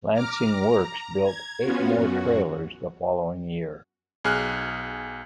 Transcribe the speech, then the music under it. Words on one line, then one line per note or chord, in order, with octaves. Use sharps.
Lancing Works built eight more trailers the following year.
A#5 D6 F6
A#5
G#6
B3 C#4 F4 F#4
F#2 F#4
B1 G#4 F6 F#6